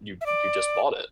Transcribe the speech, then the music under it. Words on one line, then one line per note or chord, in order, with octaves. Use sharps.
you you just bought it.
E5
D5